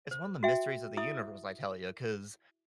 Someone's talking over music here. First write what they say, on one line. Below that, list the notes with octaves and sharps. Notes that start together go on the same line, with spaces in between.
it's one of the mysteries of the universe, I tell ya, 'cause
C5
F#4 E5 G5
E4 E5 D#6